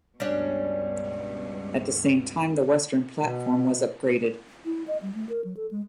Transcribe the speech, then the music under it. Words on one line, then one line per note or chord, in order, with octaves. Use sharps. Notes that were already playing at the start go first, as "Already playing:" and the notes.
At the same time, the western platform was upgraded.
C#2 G2 B2 G3 C#4 D4
B2
E4
D#5
G3
A3
A#4
F#3
A4
G#3